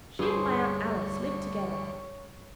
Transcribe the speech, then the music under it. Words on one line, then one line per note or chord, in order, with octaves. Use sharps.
She and my aunt Alice live together.
D2 G2 G3 G#4 C5 C#5 C#6